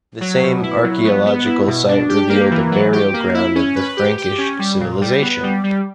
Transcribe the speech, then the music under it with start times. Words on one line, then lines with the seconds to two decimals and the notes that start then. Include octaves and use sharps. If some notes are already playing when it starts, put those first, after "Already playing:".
The same archaeological site revealed a burial-ground of the Frankish civilisation.
0.21 F#3
0.43 B2
0.63 E4
0.84 F#3
1.05 B3
1.26 B3
1.46 E4
1.67 B2
1.89 D4
2.09 G4
2.29 A#3
2.51 E3
2.71 F#3
2.93 G4
3.14 A#3
3.34 E4
3.55 C#4
3.76 B4
3.97 G4
4.18 G4
4.38 C#4
4.59 G3
4.80 A#2
5.01 G3
5.22 B3
5.43 G3
5.64 G3